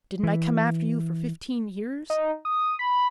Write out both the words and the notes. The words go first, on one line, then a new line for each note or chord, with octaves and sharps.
Didn't I come after you for fifteen years?
E3
D#4
D#6
B5